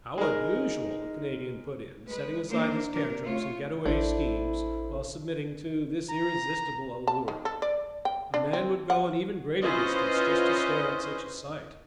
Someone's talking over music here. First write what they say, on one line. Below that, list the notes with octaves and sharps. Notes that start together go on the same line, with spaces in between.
"How unusual!" the Canadian put in, setting aside his tantrums and getaway schemes while submitting to this irresistible allure. "A man would go an even greater distance just to stare at such a sight!"
G#3 D#4 A#4
G#3 B4
A#3 D4 A#4 C5
C3 D4 A#4
A3 F4 C#5
A1 D4 E4 A4 C5
A#5
A5
D#3
A4
D5
G5
D4
C4
F#5
C#4 E4 F4 B4 C5 D#5